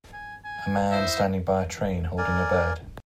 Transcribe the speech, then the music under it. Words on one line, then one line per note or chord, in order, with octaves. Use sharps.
A man standing by a train holding a bird.
G#5
G#5
D#4 E4 C5 E5
A#4 D5 G#5